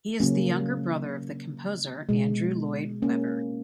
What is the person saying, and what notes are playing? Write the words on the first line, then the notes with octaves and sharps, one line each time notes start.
He is the younger brother of the composer Andrew Lloyd Webber.
C#3 F#3 A#3 C#4
B2 G#3
A#3 C#4